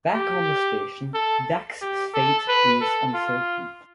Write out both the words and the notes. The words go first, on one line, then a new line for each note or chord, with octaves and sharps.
Back on the station, Dax's fate is uncertain.
G4
A4
G4
A4
B4
A4
F4